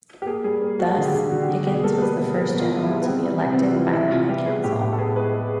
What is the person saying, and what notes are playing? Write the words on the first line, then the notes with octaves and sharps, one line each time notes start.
Thus, Higgins was the first General to be elected by the High Council.
G4
A#3 G#4
G3 G#4
A#3
G3 F#4
D3 G#4
G4
D3 G#4
D3 F#4
G4
D3 F#4
B2 G4
G#4
A#3 A4
G3 B4
B2 B4
G3 A#4
B2
F4
B2 F4
E4
G3
B3
G3 C4
G3
C3 B3
C4
E3 B3
F4
G3 E4
C3 E4
C3 F4
G3 G4
B3 G#4
A2 G4
A2 G4
A4
B3 G#4
G#3 B4
G#3